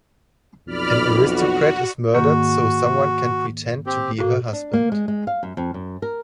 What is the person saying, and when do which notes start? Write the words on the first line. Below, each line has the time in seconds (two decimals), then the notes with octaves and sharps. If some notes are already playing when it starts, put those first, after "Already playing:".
An aristocrat is murdered so someone can pretend to be her husband.
0.67 B1 F2 D5 B5 F6
1.22 F#4
2.14 G#2 D#3 A#3 F#4
3.86 C4 G4
4.19 A2 A#3 F#4
4.53 D4
4.73 A#3
4.92 G#3
5.08 G#3
5.27 F5
5.43 F#2
5.57 F2
5.74 F#2
6.02 A#4